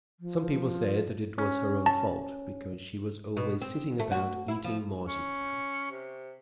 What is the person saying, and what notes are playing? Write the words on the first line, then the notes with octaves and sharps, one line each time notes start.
Some people said that it was her own fault, because she was always sitting about eating marzipan.
F3
C#4
A5
B2
C4
A3
F#4
E4
F3
C#4
C3